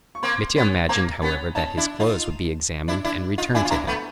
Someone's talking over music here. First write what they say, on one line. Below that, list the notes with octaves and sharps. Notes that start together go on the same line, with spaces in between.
Mitya imagined, however, that his clothes would be examined and returned to him.
C#6
A#3 C4 C6
B3 C#4
A#3 C4 A#5
B3 C#4
C#4 D#4 A5
D4 E4
D#4 F4
D4 E4
D4 E4
D#4 F4
D4 E4 G#5
F4
D4 E4 A#5
A3 B3 B5